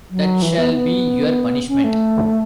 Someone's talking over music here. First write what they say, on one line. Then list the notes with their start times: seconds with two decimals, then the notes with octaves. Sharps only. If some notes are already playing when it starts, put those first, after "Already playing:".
That shall be your punishment.
0.11 F#3
0.42 E3
0.58 B3
0.74 B3
1.68 C#4
1.84 A3